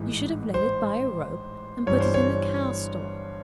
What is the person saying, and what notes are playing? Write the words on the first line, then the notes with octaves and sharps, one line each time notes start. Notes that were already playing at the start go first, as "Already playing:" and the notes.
You should have led it by a rope, and put it in the cow-stall.'
Already playing: A1 G#2 E3
C5
G1 G2 E3 C#5
C5
C#5